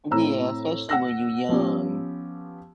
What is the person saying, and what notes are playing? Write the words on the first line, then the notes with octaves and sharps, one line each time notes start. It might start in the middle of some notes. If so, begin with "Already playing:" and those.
Yeah, especially when you young.
A2 C4 E4 A#5 E6
F#5 E6 A#6
F3 B3 C#4 G4